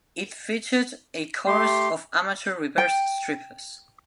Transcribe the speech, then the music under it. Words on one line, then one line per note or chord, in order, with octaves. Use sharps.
It featured a chorus of amateur reverse strippers.
A3 G4 C6
G5